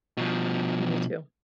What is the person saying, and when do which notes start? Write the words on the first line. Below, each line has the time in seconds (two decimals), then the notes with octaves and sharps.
Me too.
0.17 B2 F3